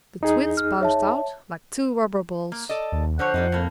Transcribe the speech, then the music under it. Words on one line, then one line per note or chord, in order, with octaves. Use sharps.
The Twins bounced out like two rubber balls.
E2 D#4 G#4
F6
C#5 E5 A5
A#3
A4 D5 D#5
D#2
D3 F3 C5 C#5 F#5
F2 G3 D4 D#4
A2 A#3